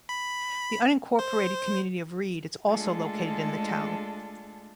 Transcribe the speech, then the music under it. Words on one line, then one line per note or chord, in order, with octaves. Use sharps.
The unincorporated community of Reed is also located in the town.
B5
C5
G#3 A3 D4 F4 G#4 A4